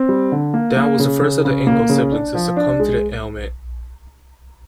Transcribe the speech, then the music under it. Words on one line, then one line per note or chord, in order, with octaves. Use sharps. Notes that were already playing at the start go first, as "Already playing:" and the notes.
Dow was the first of the Ingalls siblings to succumb to the ailment.
Already playing: C4
G3
D3
A#3
A#3
C#3
C#3
C#3
A#3
C#3
D4
F3
D4
G#3